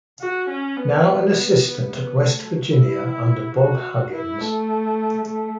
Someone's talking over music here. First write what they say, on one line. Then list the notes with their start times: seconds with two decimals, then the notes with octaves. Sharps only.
Now an assistant at West Virginia under Bob Huggins.
0.21 F#4
0.49 C#4
0.77 B3
1.32 B3
1.61 B3
1.89 B3
2.17 A3
2.45 F#3
2.73 E4
3.56 F#4
4.13 E4
4.41 A3
5.24 A3